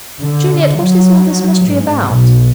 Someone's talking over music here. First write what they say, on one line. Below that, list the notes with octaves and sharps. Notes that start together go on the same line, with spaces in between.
Juliet, what is all this mystery about?
D3
F#3
G#2
B1